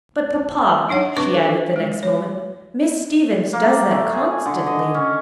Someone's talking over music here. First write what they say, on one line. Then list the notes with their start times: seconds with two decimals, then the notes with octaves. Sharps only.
"But, papa," she added the next moment, "Miss Stevens does that constantly."
0.88 F#3 D4 D#4 C#5 F#5
1.17 C4 D4 B4 C#6 D6
1.34 A4
1.76 G#3
2.03 C#5
3.53 A#3
3.91 A3
4.12 G#4
4.45 D3
4.66 D#5
4.94 C#4